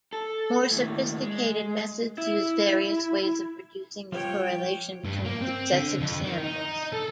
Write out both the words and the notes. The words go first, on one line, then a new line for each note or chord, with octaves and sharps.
More sophisticated methods use various ways of reducing the correlation between successive samples.
A4
D#2 A2
G#3
E4
F3 G3 F4 C#5 G5
G2
A#3
C4
D3
F2
D#3
D#4
A4